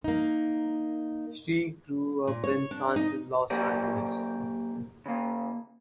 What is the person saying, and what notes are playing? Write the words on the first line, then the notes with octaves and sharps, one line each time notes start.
She grew up in France and Los Angeles.
A#3 D#4
A#2
C#5
D4
D#4
F#3 A#3 G4 C5 D5
C#3 A#3